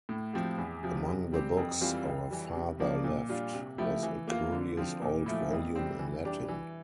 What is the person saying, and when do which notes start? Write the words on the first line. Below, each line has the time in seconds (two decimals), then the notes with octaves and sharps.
Among the books our father left was a curious old volume in Latin.
0.09 A2
0.33 F3 C4 G4
0.58 E2
0.83 C3 F3
1.08 C3
1.32 G3 C4 G4
1.57 F2
1.81 E3 G3 C4 F4
2.06 F2
2.31 E3 G3
2.56 C3
2.80 F3 A#3 D4
3.04 A#2
3.29 G3 D4 F4
3.53 C3
3.78 F3 A3 E4 G4
4.03 E3
4.28 A#3 F4
4.52 D3
4.77 F3 C4
5.02 A#2
5.26 F3 A3 E4
5.51 F2
5.75 C3 G3 C4
5.99 E3
6.24 G3 D4 G4
6.49 E3